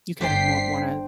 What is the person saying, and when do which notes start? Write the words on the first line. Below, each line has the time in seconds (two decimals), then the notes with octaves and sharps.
you kinda mor wanna
0.21 G1 D4 C5 G5 B6 C7